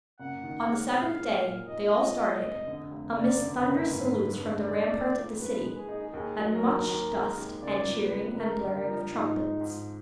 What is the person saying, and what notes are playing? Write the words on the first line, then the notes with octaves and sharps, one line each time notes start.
On the seventh day they all started, amidst thunderous salutes from the ramparts of the city, and much dust, and cheering, and blaring of trumpets.
F#1 F#5
D#3
G#3
A#2 F5
A#3
A#2
D#2 D#5
F3
B3
F1
D3
F1
F#1 D5
D3
B4
F#1
G#2
B3
D4
D#2 D5
A#3
F4
D#2 B4
G#3
G#4
D#4
D#2 G#4
F#3
A#4
D#2
D#2
G#3
D#2
F#1 D5
F3
B4
F#1
F#1 A#4
D3
A#4
F3
G#2 D#4
G#3
G#2